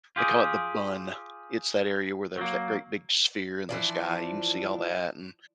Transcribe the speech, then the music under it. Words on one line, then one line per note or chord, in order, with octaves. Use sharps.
they call it The Bund. It's that area where there's that great big sphere in the sky. You can see all that and
F4 G4 G#4
F#3 A#3
E3 F3 D4